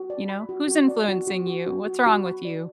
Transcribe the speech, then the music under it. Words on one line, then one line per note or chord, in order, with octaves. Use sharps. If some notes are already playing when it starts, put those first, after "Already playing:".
you know, "Who's influencing you? What's wrong with you?
Already playing: F#4
D5
B5
F#4
F#4
D5
F#4
F#4
F#4
F#4
F#4
F#4
B5
D5